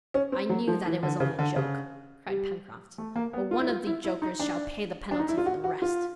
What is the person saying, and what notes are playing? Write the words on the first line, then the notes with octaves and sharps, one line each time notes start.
"I knew that it was only a joke," cried Pencroft; "but one of the jokers shall pay the penalty for the rest."
C#4
C4
F#3
F3
E3
D3
C#3
D3
C#3
G3
A3
A#3
B3
F4
E4
F4
E4
E4
D#4
D4
D4
D#4
E4
F4
F#4
F#4
F4